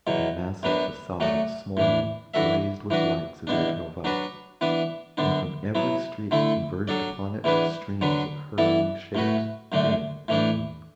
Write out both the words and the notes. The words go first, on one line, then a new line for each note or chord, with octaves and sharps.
The massive facade of Smolny blazed with lights as we drove up, and from every street converged upon it streams of hurrying shapes dim in the gloom.
E2 B2 F#3
F#2 F#3 B3 D4 B4
F#3 A3 F#4 D5
A2 E3 D4
E3 D4 F#4 A4 E5
E3 D4 F#4 B4
E2 B2 B3 D4
F#3 D4 F#4 B4 D5
E3 B3 D4 B4
F#2 D3 B3 D4
F#3 B3 E4
D3 A3 E4 A4
F#3 D4 A4 D5
E2 E3 B3 D4 B4
D3 F#3 D4 B4
E3 B3 E4 A4 D5
A2 A3 F#4 B4
F#2 D3 A3 D4
A2 E3 A3 D4